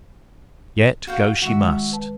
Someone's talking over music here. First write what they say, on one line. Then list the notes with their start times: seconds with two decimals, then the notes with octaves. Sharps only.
Yet go she must.
1.07 F#4 F5 G5
1.42 D#3 G#3 F#4 E5
1.92 B4 A5